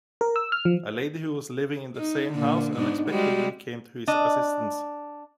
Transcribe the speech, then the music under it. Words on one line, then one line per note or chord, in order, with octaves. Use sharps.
A lady who was living in the same house unexpectedly came to his assistance.
A#4
E6
F6
F3
D#4
A#2 D3
G#2 B3 D4
G3 G#3 F#4
D4 D#5